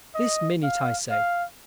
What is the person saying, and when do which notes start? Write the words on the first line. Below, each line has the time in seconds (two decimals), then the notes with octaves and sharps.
This minute, I say.
0.15 D#5
0.63 F5
1.11 F5